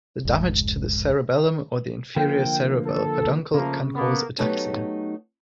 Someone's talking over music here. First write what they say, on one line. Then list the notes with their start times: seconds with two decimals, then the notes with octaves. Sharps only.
The damage to the cerebellum or the inferior cerebellar peduncle can cause ataxia.
0.25 F1 C#2 G#2
2.16 D3 F3 A#3 G5
2.86 A4
3.54 C#3 F3 A3 A#3
3.95 A#3 B3
4.38 F#3 A3 B3 D#4 G4